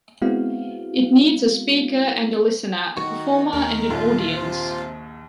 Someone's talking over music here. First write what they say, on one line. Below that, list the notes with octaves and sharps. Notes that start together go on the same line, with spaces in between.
It needs a speaker and a listener, a performer and an audience.
G#3 B3 C4 E4 F#4 F5
D#3 F#4 C#6
D#2 A#4
A#1 D#2 F4
C3 C5